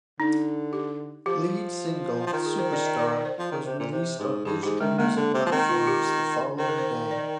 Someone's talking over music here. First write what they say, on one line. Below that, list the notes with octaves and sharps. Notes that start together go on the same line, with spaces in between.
Lead single "Superstar" was released on digital music platforms the following day.
D3 D#4
G4
F3 G4
F3
D#3 F4
G#4
C5
D5
D#5
D5
D5
C5
F3
D#3
C3
A#2
C3
G#2
G2 G#4
G#2 G4
D#3 G#3
D#3 A#3
D3
C3
F3
D#3 C4
F4
G4
G4
D#3 C5
A#4
C5
D5